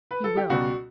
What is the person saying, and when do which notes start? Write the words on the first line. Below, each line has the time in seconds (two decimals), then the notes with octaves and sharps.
"You will."
0.11 B4
0.24 A4
0.37 G4
0.50 C#2 B2 G3 F#4